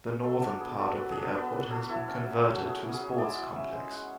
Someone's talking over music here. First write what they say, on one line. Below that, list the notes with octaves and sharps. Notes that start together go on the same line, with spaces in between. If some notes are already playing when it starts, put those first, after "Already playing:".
The northern part of the airport has been converted to a sports complex.
F#3 A4
D4 A4
B3 G#4
F#3 A4
F#3 B4
D4 G#4
A4
B3 B4
F#3
F#3 A4
E4
C#4
F#3
F#3 F#4
E4
G#4
C#4
G#4
F#3
G#3 D5 E5
E4
C#4 E5
G#3
G#3 F#5